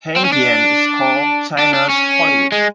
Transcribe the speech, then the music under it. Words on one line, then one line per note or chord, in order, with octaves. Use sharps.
Hengdian is called "China's Hollywood".
C4
C#4
D4
D4
D4
C#4
G#3